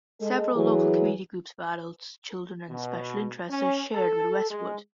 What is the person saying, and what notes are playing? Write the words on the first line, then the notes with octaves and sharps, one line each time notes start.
Several local community groups for adults, children and special interests are shared with Westwood.
G#3 A4
E3 F#3 G#4
B2
C#4
A4
G#3